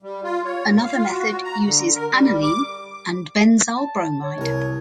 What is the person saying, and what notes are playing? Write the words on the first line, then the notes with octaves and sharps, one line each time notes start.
Another method uses aniline and benzyl bromide.
G3
F4
C#5
A#2
F5
F4
F#4
A#5
D3
A#4
G3
D6
A5
C#5
C2 A#4